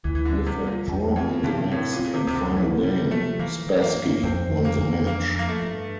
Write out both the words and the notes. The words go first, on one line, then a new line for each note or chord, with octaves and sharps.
With a draw in the next and final game, Spassky won the match.
D2 E3
E3
D3
G3
C3
G3
A#2
E2
F2 C4
G2 C3
A2 C4
A#2
C4
A#2
C3
D2 C3
D3
E3 F3
C3 G3
F3 A3
E3 A#3
E3
A#3
G2
F2 C4
A3
A#3
F2
A#3 D4
F3 A#3
A3
G2